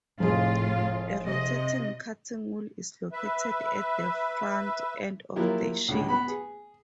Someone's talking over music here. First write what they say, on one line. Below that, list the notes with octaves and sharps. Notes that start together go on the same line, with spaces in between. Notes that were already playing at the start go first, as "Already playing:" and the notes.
A rotating cutting wheel is located at the front end of the shield.
F1 A2 F4 G#4
C3 D#5
B4 E5
F3 F#3 A#3 E4 F4 G4
C#2 A2 D3 G#3
B3 B5
G#4